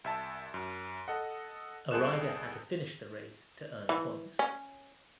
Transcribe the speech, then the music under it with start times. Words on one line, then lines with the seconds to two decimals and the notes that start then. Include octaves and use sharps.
A rider had to finish the race to earn points.
0.04 C2 E5 A5
0.54 F#2
1.08 A4 D#5 F#5
1.91 C2 G#4 A4 F#6 E7
3.89 E3
4.39 C#4